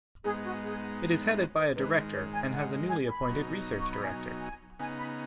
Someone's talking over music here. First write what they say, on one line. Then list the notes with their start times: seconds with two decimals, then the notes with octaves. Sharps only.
It is headed by a Director, and has a newly appointed Research Director.
0.24 G#2 G#3 B3 D#4 G#4
0.43 F#4
0.62 G#4
1.38 C#5
1.57 B4
1.76 G#2 D#3 G#3 B4
2.14 C#5
2.33 G#5
2.52 F#5
2.89 G#5
3.08 B5
3.27 B2 F#3 D#4
3.78 C#6
3.91 B5
4.03 G#5
4.41 G#5
4.79 C#3 B3 D#4 G#5
4.98 B5